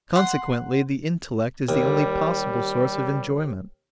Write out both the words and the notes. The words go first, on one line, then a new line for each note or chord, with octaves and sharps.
Consequently the intellect is the only possible source of enjoyment.
F#5 C6
D#2 G3